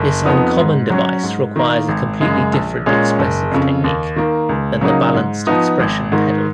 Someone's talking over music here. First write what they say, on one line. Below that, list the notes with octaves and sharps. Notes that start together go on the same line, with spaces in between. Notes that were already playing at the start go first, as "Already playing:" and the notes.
This uncommon device requires a completely different expressive technique than the balanced expression pedal.
Already playing: F#1
F2 F3 B3 D#4
G#2
F#3 C#4
G#2
D#3 A#3
G#1
F#2 C#3 G#3
A#1
A#2 G#3 C#4
F#1
F2 C#3
D#2
D#3 A#3
C#2
C#3 F#3 A#3 D#4
G#2
F3 B3 D#4
G#1
G#2 D#3